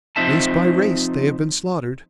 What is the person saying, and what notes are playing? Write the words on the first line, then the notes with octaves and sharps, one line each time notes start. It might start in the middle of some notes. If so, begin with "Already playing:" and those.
Race by race they have been slaughtered.
F3 C4 D#4 E5 A5